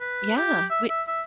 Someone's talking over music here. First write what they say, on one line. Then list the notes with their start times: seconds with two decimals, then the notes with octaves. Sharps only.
Yeah, we
0.01 B4
0.37 G4
0.70 E5
0.89 E5
1.08 E5